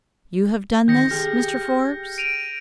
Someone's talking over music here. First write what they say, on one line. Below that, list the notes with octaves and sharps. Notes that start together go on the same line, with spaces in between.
"You have done this, Mr. Forbes?"
D#3 C4 G6 A#6 C#7
G4 G#4 F6
D7 D#7 F7